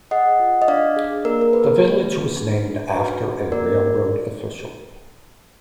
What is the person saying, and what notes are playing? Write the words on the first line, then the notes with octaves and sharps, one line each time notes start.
The village was named after a railroad official.
G#4 D#5 F#5
F4
D#5
D4 D5 F5
G#4
A#3 A#4
A#4
G#4 B4
A#3
G#4
D4
D4
F#4 B4
F#4
A#3 A#4 D5